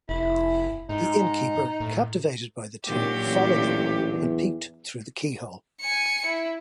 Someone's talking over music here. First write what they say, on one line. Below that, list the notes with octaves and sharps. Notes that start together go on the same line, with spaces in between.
The innkeeper, captivated by the two, followed them and peeked through the keyhole.
F1 E4
G#2 D#4
A2
G#1 A#2 F#3 D4 G4
A1
E2
G#5 C#7
E4